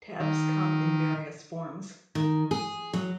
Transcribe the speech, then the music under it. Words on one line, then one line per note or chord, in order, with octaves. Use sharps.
Tabs come in various forms.
D#3
D#3
G#4
F#3